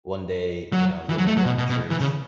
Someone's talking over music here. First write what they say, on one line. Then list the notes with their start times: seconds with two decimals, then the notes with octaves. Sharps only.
one day, you know, he was, like, going to church
0.72 F#3
1.10 E3
1.18 F#3
1.27 A3
1.37 F#3
1.45 B2
1.58 B2
1.70 B2
1.90 E3
2.01 C#3